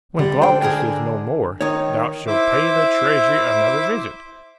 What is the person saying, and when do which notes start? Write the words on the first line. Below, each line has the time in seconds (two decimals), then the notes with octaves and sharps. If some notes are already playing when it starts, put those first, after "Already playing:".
When Glaucus is no more, thou shalt pay the treasury another visit.
0.19 D3 G3
0.42 D3 C5 G5
0.62 G#4 A#4 G5
1.61 D#3 D#4 C#5
2.27 E4 C5 E5 D6